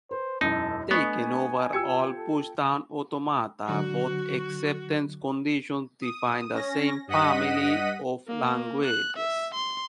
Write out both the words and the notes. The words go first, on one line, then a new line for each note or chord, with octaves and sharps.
Taken over all pushdown automata both acceptance conditions define the same family of languages.
B4 C5
E1 F#2 D#4 E4 A5
A3 B3 D4 D#5 G#5 C#6 B6 C#7
F4 G4 G5 E6 G#6 C#7
A4
D3 F#3 F#4
D#6
C#4 A#6
G2 D#5 F#5 B6 D#7
A#3
F#6
E5
C6